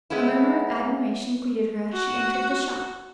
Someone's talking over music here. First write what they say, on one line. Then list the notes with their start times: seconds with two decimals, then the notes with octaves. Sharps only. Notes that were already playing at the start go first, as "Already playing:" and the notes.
A murmur of admiration greeted her as she entered the shop.
0.10 G#3 B3 C#4 E4
1.93 F#4